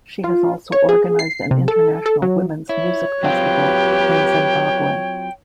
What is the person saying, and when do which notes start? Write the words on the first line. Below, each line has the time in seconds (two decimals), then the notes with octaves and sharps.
She has also organized an international women's music festival in Zimbabwe.
0.24 F4
0.72 C#5
0.89 G#4
1.19 C7
1.51 C3
1.68 A4
2.06 A4
2.22 F#3
2.69 E4 C#5
3.23 F#3 C4 F4 G4 B4 G5